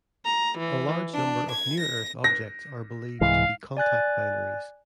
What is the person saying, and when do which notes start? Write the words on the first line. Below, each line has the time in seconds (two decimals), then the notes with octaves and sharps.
A large number of near-Earth objects are believed to be contact-binaries.
0.24 A#5
0.58 E3
1.14 D4
1.52 G#6
1.81 A#6
2.24 A#6
3.21 C2 G#2 E3 F5
3.77 D5 G#5 F#6 A6